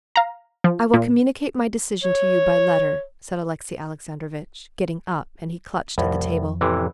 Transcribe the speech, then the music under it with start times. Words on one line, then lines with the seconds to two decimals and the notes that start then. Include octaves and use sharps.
"I will communicate my decision to you by letter," said Alexey Alexandrovitch, getting up, and he clutched at the table.
0.16 F5 A#5
0.64 F3
0.94 A#2
2.03 C#5
5.98 C2 F2 A2
6.61 A1 C3 E3